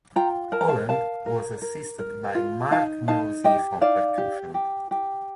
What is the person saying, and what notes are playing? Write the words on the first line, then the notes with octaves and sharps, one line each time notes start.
Holland was assisted by Mark Nauseef on percussion.
F4 G5 A#5
A#4 A5
A#5
F5 A5
A#4 F5 A5
A#4
A#4
A#4
F4
D#4 F5 A5
D#4 F5 A5
G4 D#5 G5
D#4 D5 F5
G4
G4
G4